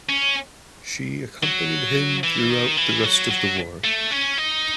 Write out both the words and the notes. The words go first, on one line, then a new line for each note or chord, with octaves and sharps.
She accompanied him throughout the rest of the war.
C#4
F#3
E3
D#3
E3
F#3
F#3
A3
C#4
D#4